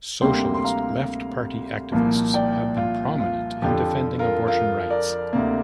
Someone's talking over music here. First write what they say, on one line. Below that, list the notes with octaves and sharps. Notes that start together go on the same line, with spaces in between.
Socialist Left Party activists have been prominent in defending abortion rights.
D2 C3 G3 A#3 G5 C6
C6
F5 A#5
C2 A#2 F3 A#3
D5 G5
F4
F4
F2 D3 F3 G4
F4 A#4
F4 A#4
A#4 D5
D2 C3 A#3